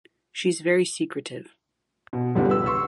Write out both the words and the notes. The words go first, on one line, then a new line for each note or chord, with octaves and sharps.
She's very secretive.
B2
G1 C#2 G3 B3 F#5
B4 E6
C6 C#6 E6